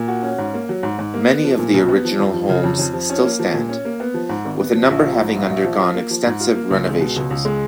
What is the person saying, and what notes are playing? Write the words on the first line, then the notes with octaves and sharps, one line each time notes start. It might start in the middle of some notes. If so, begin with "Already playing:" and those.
Many of the original homes still stand, with a number having undergone extensive renovations.
Already playing: A#2
F#4
C#4
G#2
A#3
F#3
G#2
G#2
A#3
B3
F3
A#2
B1
B3
F3
F2
F3
C#3
F2
F2
F3
C#4
A#3
F3
A#2
C#4
A#3
B3
F3
G#2
G#1
B3
F3
A#1
F3
G#2
A#1
A#1
F3
F4
A#3
F3
G#2
F4
A#3
C#2
G#3
B2
C#2
C#2
G#3